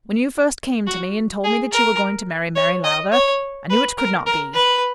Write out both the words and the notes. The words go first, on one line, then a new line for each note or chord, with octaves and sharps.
When you first came to me and told me that you were going to marry Mary Lowther, I knew it could not be.
F#4
G#4
A#4
C#5
D#5
C#5
B4
A#4
A#4
B4